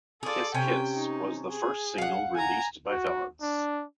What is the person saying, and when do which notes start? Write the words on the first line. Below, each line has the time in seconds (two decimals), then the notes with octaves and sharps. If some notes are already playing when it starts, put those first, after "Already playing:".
"Kiss Kiss" was the first single released by Valance.
0.23 F4 G#4 A4 D5
0.54 C3 C#4 G5 G#5
0.95 D#4
1.50 G#4
1.98 F5 F#5
2.35 G#5 A#5
2.90 F#4
3.42 D4